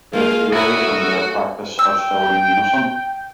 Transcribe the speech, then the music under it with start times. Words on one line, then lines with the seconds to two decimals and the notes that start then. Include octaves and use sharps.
Their theory and their practice are still in unison.
0.13 G#3 A#3 F4 F5
0.53 A3 E4 F#4 A#4 D#6 E6
1.79 G5 E6